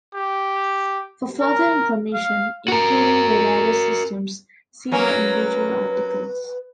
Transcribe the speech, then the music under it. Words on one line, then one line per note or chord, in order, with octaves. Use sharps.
For further information, including the rarer systems, see the individual articles.
G4
A#4
F5
F#4 A#4
F#3 A#3 C#4 B4